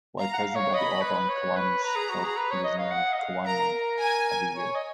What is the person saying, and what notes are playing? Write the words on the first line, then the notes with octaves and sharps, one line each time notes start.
While President of the Auburn Kiwanis Club he was named Kiwanian of the Year.
F5 A#5
F#5
F5
C#5
D#5 B5
B4
C#5
B4
B4 A#5
G#4
F#4
G#4
B4
C#5
D#5
F5
F#5
D#5
F5
A#4 A#5
G#5
C#5
D#5